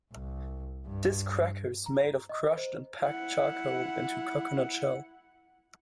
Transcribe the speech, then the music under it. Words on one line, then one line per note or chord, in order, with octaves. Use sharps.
This cracker is made of Crushed and packed charcoal into Coconut shell.
C2
G2
A#5
D#5
C5
E4 F#5